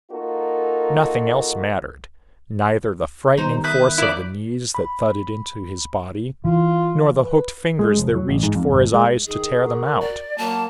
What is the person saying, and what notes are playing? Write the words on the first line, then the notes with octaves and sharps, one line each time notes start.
Nothing else mattered--neither the frightening force of the knees that thudded into his body nor the hooked fingers that reached for his eyes to tear them out.
A#3 D#4 F4 F#4 A4 A#4
D#3 G3 B3 D#4 C5
E5 B5 D#6 F#6 G6 B6
A#3 E4 D5 D#6
B5
E3 F4
B4
G#3
F1
F#3
A1
G#2
F2
G#1
G#3
D#3 G#4
F#4 A#4
D5
F#3 A#3 A5